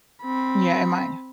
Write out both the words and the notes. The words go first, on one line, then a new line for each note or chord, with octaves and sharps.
Yeah, it might.
C4 B5